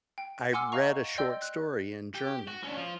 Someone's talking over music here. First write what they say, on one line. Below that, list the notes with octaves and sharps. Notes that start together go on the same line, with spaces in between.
I read a short story in German,
G5
F#5 G#5 C6 D6 E6 F6
D#5 F5 A#5 C#6
D5 D#5 G5 C6 E6 G6
F#6
G4
F#4
C#4 D4
F3 F4